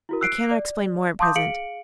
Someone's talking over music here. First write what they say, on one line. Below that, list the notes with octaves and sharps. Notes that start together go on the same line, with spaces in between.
I cannot explain more at present.
E4 F#4 A#4
E6 F#6 C7 D7
D5
F5 A5 C6 D6 D#6 G6
G#4 F5 C#7 D7 F#7